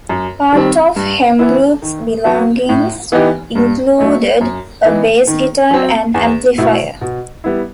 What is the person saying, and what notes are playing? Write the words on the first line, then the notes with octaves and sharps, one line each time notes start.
Part of Hembrook's belongings included a bass guitar and amplifier.
F#2
D#3 G3 C4
G2
E3 B3 E4
D#3
F#3 B3 F#4
A2
E3 B3 D#4 G4
G2
F#3 A3 D#4
F#2
E3 B3 D#4
D#3
F#3 C4
E2
B2 A3 E4
B2
G3 B3 E4